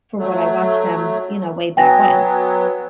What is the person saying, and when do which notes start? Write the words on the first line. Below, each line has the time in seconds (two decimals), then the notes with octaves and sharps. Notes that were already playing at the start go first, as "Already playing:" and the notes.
from when I watched them, you know, way back when.
0.19 F#3 A3
1.77 F#3 B3 G5 G#5 A#6